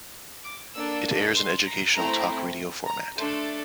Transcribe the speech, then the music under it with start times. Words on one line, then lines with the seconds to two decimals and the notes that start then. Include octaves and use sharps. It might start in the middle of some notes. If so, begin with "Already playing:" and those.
It airs an educational talk radio format.
0.44 D6
0.75 A#3 D4 A4 E6
1.36 C6
1.66 A#5
1.96 A3 C4 E4 A#5
2.87 A#5
3.17 A3 D4 A4 C6